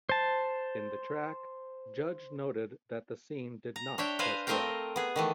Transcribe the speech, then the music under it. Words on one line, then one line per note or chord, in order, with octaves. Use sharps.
In the track, Judge noted that the scene did not test well.
C5 A5
A#5
D4 C#5 E5 G5
B4 C5 F5 G#5 A#5
A3 C4 A#4 D#5 F5 G5
B3 G#4
D#3 E3 A3